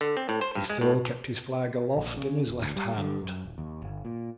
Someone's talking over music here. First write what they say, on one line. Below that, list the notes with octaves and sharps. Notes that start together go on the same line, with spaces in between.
He still kept his flag aloft in his left hand.
D3
C4
A2
C5
G2
G#3
A2
A#1
C#3
E1
D2
G3
D3
F#2
D#1
D#2
G1
A#2